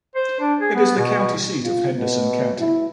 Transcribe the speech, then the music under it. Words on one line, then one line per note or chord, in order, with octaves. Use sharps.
It is the county seat of Henderson County.
C5
D4
G#4
B3
B2
F4
B2
E4